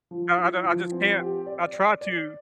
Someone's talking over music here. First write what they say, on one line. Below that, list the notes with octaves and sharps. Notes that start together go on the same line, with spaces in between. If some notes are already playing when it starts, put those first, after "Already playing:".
I I I just can't I try to
F3
E4
F3
C4
G4
D5
D5
D5